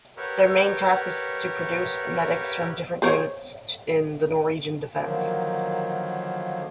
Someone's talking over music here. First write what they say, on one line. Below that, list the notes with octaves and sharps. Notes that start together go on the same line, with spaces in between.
Their main task is to produce medics for different units in the Norwegian defence.
G4 A#4 B4 C#5 E5 F#5
G#4 C5 C#5
D3 D#3 F3 F#3 A#3